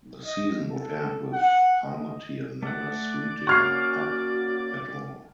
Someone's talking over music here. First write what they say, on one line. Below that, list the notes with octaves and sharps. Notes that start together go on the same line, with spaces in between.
The season would end with Palmateer never suiting up at all.
D#5
A4
F#5
D#5
A3 D5 F#5
A#3 C#4 F#4 F#5 C#6 F6 C7